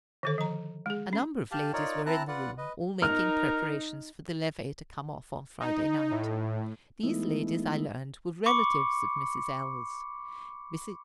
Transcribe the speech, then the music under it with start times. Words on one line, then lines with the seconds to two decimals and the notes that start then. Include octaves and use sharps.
A number of ladies were in the room, all making preparations for the levee to come off on Friday night. These ladies, I learned, were relatives of Mrs. L.'s,--Mrs.
0.23 D3 D#3 A4
0.38 F3 A#5
0.86 G#3 G#4
1.13 C#4
1.51 G4 F5 A5
1.73 D#4 F4 A#4 C#5 D5
2.06 C4 E4 A5 A#5 F#6
2.28 F4 B4 D5 F#5
2.58 B4 D#5
3.02 D#4 A#4 F6
5.60 D#4
6.11 A2
7.03 E3 G#3 A3 B3 D#4 E4
8.46 B5 C#6 D6 C#7